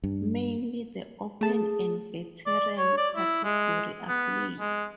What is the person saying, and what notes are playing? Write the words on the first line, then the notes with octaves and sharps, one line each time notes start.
Mainly the Open and Veteran category are played.
G2
A3 G#4 A5
D5
C#5
D5
E4
G#3
B3
G#3